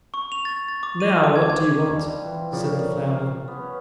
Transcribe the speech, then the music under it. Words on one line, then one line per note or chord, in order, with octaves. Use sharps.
"Now, what do you want?" said the flounder.
C#6
F7
A6
A6
D6
D#7
D6
G#6
G#6
F3 G3 C4
E3
C#3 F3 A#4 C#5 D5
F5
B3 C#4